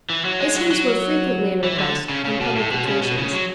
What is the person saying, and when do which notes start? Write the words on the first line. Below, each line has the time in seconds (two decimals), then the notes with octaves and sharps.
His hymns were frequently in request, on public occasions.
0.10 E3
0.25 F#3
0.40 G#3
0.56 F#3
0.71 F#3
1.63 E3
1.79 D3
2.09 C#3
2.25 C#3
2.40 B2
2.56 A2
2.71 B2
2.87 C#3
3.02 B2
3.17 C#3
3.33 F#3